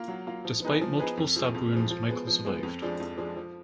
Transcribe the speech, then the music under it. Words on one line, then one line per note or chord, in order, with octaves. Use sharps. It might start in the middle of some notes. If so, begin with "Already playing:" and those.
Despite multiple stab wounds Michael survived.
Already playing: A#3 F4
F#3
A#3 F4
F3
B3 D#4 G#4 B4
F3
B3 D#4 G#4 B4
F2
F3 G#3
F2
F3 G#3
F3
G#3 B3
F3
G#3 B3
F2
F3 G#3 D4
F2
F3 G#3 D4
F3